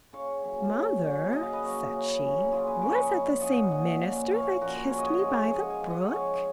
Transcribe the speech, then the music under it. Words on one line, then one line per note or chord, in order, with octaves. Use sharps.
"Mother," said she, "was that the same minister that kissed me by the brook?"
C#3 C#5 F5
F#3 A#3 C#4
C#3
F#3 A#3 C#4
C#3 D#5
F5
B4 D#5
F#3 A#3 C#4
C#3
F#3 A#3 C#4
A#2 F4 G#4
G#4 B4
F3 A#3 C#4 A#4 C#5
B4 D#5
A#2 C#5 F5
F3 A#3 C#4 D#5 F#5
A#2 D#5 F#5
F3 A#3 C#4
A#2 C#5 F5
F3 A#3 C#4 F#4 A#4
C#3 C#5
D#5
A#4 C#5
F3 G#3
C#3 D#5 F#5
F5 G#5
F3 G#3
D#5 F#5
C#3 C#5 F5